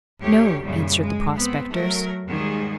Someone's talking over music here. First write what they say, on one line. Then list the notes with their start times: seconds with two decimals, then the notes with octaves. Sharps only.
'No,' answered the prospectors.
0.20 D2 G4 C#5
0.63 F#2 A#2 C#3 G3
1.00 G#3
1.36 B3 C4
1.72 F#3 A3 A#4
2.26 D#2 G#2 D#3 G3 G#4